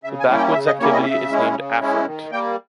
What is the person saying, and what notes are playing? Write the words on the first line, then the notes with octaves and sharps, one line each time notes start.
The backwards activity is named “afferent”.
C#3 E5
G#5
G3 A#3 C#4 E4
G5
C#3 E5
D#5
G3 A#3 C#4 E4 C#5
D#5
C#3 E5
G#3 C#4 E4
C#3
G#3 C#4 E4
D#3
G3 A#3 G5